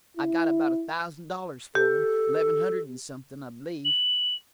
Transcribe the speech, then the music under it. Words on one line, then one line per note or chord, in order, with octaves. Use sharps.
"I got about a thousand dollars for them--eleven hundred and something, I believe."
E4
G4 A4
F#7